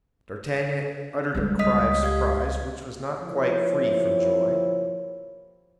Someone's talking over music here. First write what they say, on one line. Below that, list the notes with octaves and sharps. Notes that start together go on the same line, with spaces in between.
D'Artagnan uttered a cry of surprise, which was not quite free from joy.
C#2 G3
D#5 D#6 B6
G4 F5 G#6
F3 A#3 E4 G4 C5 C#5